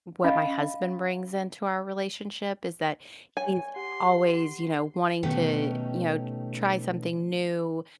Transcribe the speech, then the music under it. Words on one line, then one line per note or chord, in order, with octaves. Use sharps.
what my husband brings into our relationship is that he's always, you know, wanting to, you know, t try something new,
C#4 D#5 F5 B5
C#5 G#5
G4 F#5 C6
B2 D#3 A3 C#4 D#4 G4